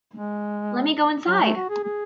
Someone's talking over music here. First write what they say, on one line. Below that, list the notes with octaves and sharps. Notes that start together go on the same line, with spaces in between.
Lemme go inside!
G#3
F#3
A3
F#4
G#4
G#4